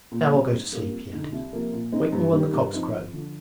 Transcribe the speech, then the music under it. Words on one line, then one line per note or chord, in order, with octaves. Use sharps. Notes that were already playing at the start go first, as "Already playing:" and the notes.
'Now I'll go to sleep,' he added. 'Wake me when the cocks crow.
A#2
G3 C4
G#2
G3 A#3 F4
F2
D3 G#3 D#4
C2
C3 F3 A#3
A#2
G#3 C4 D#4
G2
D#3 G3
G2
F3 C4 D#4
F2
D3 F3